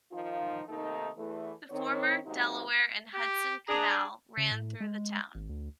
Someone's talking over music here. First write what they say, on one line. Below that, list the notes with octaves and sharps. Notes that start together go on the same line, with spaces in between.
The former Delaware and Hudson Canal ran through the town.
D#3 F3 D#4 F4
C3 D#3 A3 A#3 D#4
E2 E3 A3
D#3 C4 C#5
G#2 C3 F#3 A#3 C4 D#4
G4
D4 G#4 A#5
C#3
A2
G#3
G#1
D2